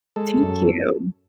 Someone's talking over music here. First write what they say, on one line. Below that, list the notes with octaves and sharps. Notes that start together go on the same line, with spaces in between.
Thank you.
G#3 A4
F#2